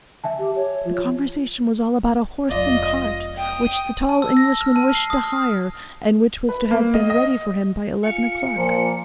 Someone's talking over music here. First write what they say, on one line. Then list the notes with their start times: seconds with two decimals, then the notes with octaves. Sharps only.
"The conversation was all about a horse and cart, which the tall Englishman wished to hire, and which was to have been ready for him by eleven o'clock."
0.24 E5 G#5 A5
0.39 G4
0.56 C#5
0.85 F3
2.49 F1 F#3 F4 D5 D#5
3.37 G5 D#6
4.09 A5
4.22 E6
4.37 A#6
4.61 F6
4.76 A5
4.95 C7
5.10 D#6
5.24 F6
6.49 B4
6.71 A#3
6.94 D#5
7.10 D#5
8.03 F4 F5 G#5 C#7
8.56 A#2 F3